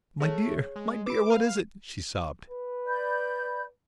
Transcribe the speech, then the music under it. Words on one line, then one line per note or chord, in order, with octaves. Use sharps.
"My dear, my dear, what is it?" she sobbed.
A3 G#4 C#5
G#3
B4 B5 D6
F5
B4
D5 B5 G6